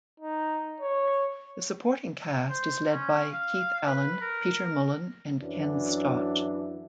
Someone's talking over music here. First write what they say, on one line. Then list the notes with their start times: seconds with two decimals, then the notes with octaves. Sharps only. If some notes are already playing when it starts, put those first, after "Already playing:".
The supporting cast is led by Keith Allen, Peter Mullan and Ken Stott.
0.20 D#4
0.80 C#5
2.49 C5
2.91 C#4
3.31 F5
3.87 B4
4.21 A#4
5.39 F#2 E3 F#3 D4